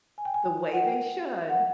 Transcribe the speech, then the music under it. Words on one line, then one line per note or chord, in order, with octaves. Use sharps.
"the way they should,
G#5
G5
G#5
F#5
G5
F#5